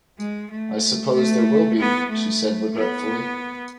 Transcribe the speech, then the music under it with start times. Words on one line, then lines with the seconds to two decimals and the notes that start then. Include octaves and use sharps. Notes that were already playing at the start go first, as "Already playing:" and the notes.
"I suppose there will be," she said regretfully.
0.19 G#3
0.51 A3
1.14 A3
1.78 B3
2.10 A3
2.74 B3